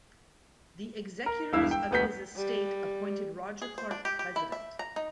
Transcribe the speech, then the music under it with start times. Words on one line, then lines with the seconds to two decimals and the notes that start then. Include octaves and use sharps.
The executors of his estate appointed Roger Clark president.
1.26 A#4
1.53 E1 G2 E4 F5 E6
1.71 G5
1.91 E1 D2 B3 F#4 G6 B6
2.37 G3
3.62 G#4
3.78 C5
3.91 D4
4.05 G4
4.19 G4
4.36 E4
4.52 E5
4.79 A#5
4.96 D#4